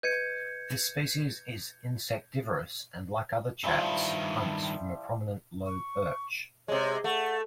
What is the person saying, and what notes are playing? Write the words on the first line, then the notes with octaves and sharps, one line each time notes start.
This species is insectivorous, and like other chats hunts from a prominent low perch.
B4 D#5 G6 G#6 C#7 D#7
G2 D#3 F3 G3 E4
C#6
C3 G#3 C#5
A3 F#5